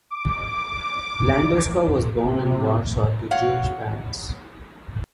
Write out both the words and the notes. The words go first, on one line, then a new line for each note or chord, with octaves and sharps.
Landowska was born in Warsaw to Jewish parents.
D6
C3
F#4 C#5 F5 F#5